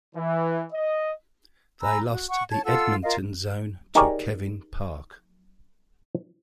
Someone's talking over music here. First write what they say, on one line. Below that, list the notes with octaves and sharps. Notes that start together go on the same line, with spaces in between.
They lost the Edmonton Zone to Kevin Park.
E3
D#5
G#5 A#5 B5 E6
F#4
F#5 C#6
C#5 A5 G#6
F4 A4 F#5 E6
F4 A#4 D#5 F5
D#4 G4 G#4 A#4 C#5 D5